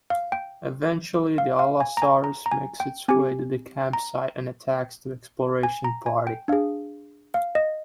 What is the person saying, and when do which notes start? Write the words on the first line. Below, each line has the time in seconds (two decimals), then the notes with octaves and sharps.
Eventually, the "Allosaurus" makes its way to the campsite and attacks the exploration party.
0.10 F5
0.32 G5
1.38 F5
1.59 F5
1.80 G#5
1.97 A#5
2.02 G#5
2.24 A#5
2.46 A#5
2.51 G#5
2.80 G5
3.08 C4 G4 G#5
3.93 A#5
5.63 G#5
5.84 A#5
6.06 G#5
6.27 G5
6.48 D4 G#4 F5
7.34 F5
7.55 D#5